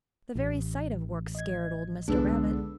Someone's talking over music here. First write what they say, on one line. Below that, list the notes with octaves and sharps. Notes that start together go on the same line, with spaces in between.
The very sight of work scared old Mr. Rabbit.
A1
D#5 G#6
C2 D3 G#3 B3 D4 E6